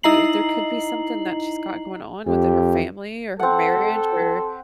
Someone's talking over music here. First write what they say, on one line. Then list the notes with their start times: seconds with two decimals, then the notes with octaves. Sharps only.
Y there could be something that she's got going on within her family, or her marriage, or
0.03 D#4 E4 D#5 A#5 C7 F#7
2.27 F2 G4
3.39 C4 A4 F#5